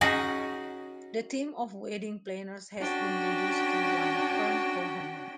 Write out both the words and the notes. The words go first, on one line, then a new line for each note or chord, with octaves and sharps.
The team of wedding planners has been reduced to one: Fern Cohen.
C#4 D#4 F#4 G#4
C#4 D4 F#4 G5